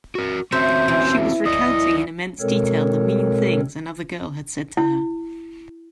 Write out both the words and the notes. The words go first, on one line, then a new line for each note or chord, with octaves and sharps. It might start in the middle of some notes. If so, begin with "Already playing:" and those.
She was recounting in immense detail the mean things another girl had said to her.
F#4 A#4
C4 C#4 F#4 C5 E5
E3
E4 D5 D#5
B2 G#3 C4 A4 A#4 C#5
E4